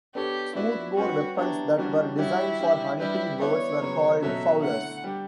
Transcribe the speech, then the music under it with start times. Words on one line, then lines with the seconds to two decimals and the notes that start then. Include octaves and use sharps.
Smoothbore weapons that were designed for hunting birds were called fowlers.
0.15 B3 D4 G4 A4 C#5
0.55 B3 D4 E4 F#4 B4 D5
0.96 G3 C#4 F#4 G4 B4
1.37 F#3 B3 D4 E4 G4 C#5
1.78 E3 G3 C#4 D4 F#4
2.19 G3 D4 E4 F#4 C#5
2.59 G3 D4 G4
2.99 G3 D4 E4 G4 B4
3.40 B3 E4 B4 C#5 D5
3.81 C#3 F#3 B3
4.22 B2 F#3 C#4 F#4 A4 E5
4.62 D3 A3 E4 F#5
5.04 G3 D4 G4